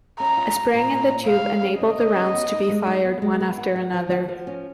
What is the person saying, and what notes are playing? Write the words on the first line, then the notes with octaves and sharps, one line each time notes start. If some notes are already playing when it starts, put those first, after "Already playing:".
A spring in the tube enabled the rounds to be fired one after another.
C#4 A#5
F4
F4
A#2 A#5
A#2
A#2
C#3 F5
G#3
C#4
C#3 D#5
C#3
C#4
B3
D#4
G#3
D#4
B3
G#3
B4
F#4
F#4
F3
F#4
F3
C#4